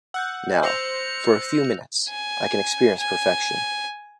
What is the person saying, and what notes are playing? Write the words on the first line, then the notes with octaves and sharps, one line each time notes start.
Now, for a few minutes, I can experience perfection.
F#5 E6 F#6 G6
C5 E6 A#6 C#7 F7
G#5
G#5